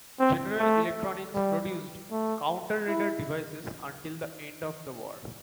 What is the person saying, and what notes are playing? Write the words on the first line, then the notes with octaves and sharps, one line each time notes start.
General Electronics produced counter-radar devices until the end of the War.
C4
A3
G3
A3
E4